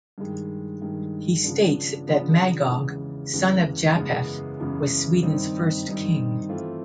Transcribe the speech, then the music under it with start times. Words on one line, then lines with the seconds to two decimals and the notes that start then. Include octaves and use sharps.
He states that Magog, son of Japheth, was Sweden's first king.
0.18 G2 D#3 G#3
0.81 G2 D#3 G#3
1.44 C#3 F3 G#3 B3 D4
2.07 C#3 F3 G#3 B3 D4
2.70 E2 C#3 E3 G#3
3.33 E2 C#3 E3 G#3
3.97 F#2 C#3 E3 G#3 B3
4.60 F#2 C#3 E3 G#3 B3
5.23 G2 D#3 G3 C4 D#4
5.87 G2 D#3 G3 C4 D#4
6.49 E3 A3 C4 F4